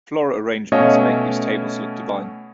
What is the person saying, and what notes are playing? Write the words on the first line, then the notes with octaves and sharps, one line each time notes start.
Floral arrangements make these tables look divine.
B2 A3 C#4 C#5 D#5 F5